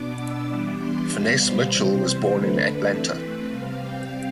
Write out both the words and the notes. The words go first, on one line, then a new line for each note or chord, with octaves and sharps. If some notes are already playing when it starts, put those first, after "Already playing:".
Finesse Mitchell was born in Atlanta.
Already playing: B2 B3 D4 D6
E6
E3 G3 B3 D4 D6
C6
B2 G3 B3 F5
C5
C3 E3 G3 C4
D3 A3 D4 B4
B4
E3 A3 C4
C3 G3 C4 F5
G5